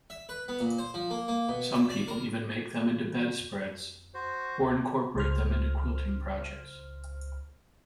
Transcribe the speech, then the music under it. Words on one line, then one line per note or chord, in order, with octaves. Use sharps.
Some people even make them into bedspreads or incorporate them into quilting projects.
E5
B4
B3
A#2
C5
F3
A#3
A#3
B2
E5
D5
A#4
E3
F2
F#4 C5
D2
C#2 C5 F6